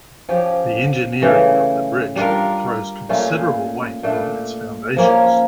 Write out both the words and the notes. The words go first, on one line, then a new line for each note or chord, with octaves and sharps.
The engineering of the bridge throws considerable weight on its foundations.
F3 C#4 G4
C#3 E3 A3
G3 D4 F4 A#4
A#2 A3 C#4 F4
A#2 A3 D4
F3 A#3 C#4